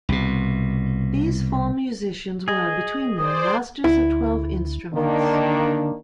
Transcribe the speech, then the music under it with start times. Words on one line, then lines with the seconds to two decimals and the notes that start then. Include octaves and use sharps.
These four musicians were, between them, masters of twelve instruments.
0.09 C2 B2
2.48 G#4 D#5
3.17 C5 D5 D#6
3.84 D2 E4
4.94 D3 D#3 A#3 D4